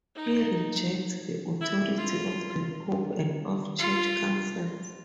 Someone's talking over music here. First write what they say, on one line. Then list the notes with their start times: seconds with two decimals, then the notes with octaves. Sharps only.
He rejects the authority of the Pope and of church councils.
0.16 D#4
1.61 E4
1.97 F4
3.79 F4